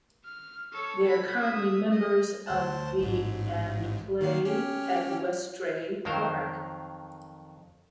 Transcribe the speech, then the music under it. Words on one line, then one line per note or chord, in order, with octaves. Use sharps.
They are currently members of the and play at Westray Park.
F6
A4 C#5
B5
E5 D#6
D#5
D2 C5 A5
A1 G#2
D#3 A#3 C7
C#4 G4 F6
F2 D#3 F#3 A#4 C5